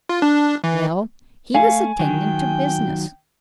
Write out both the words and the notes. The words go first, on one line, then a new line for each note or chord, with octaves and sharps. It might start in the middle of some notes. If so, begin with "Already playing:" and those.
Well, he was attending to business.
F4
D4
E3
A3 F5 G#5
D#3 F#3 G5